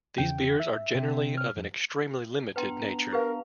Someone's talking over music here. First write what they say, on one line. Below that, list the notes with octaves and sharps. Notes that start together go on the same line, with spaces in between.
These beers are generally of an extremely limited nature.
E2 C#3 G5
E5
C3
F6
F2
B3 D4 B4 G5 A#5 C6
G4 A#4 B4 F5